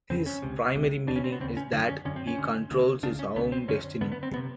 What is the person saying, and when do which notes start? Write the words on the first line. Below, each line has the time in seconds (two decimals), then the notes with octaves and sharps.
His primary meaning is that he controls his own destiny.
0.10 F2 C#3 C4
0.26 C#4
0.42 C#2 C3
0.75 C#2 C3
1.07 D#2 C#3 D4
1.16 C#4
1.24 C4
1.32 B3
1.40 D#2 C#3 C4
1.57 C#4
1.73 D3 D4
1.76 F#2
1.89 C#4
2.05 F#2 D3 C#4
2.16 C4
2.27 C#4
2.38 D2 D3
2.71 D2 D3
3.03 C#2 C#3 D4
3.19 C#4
3.36 C#2 C#3 B3
3.52 C4
3.68 F#2 D3 C#4
4.01 F#2 D3 B3
4.12 B3
4.23 C4
4.34 C3 B3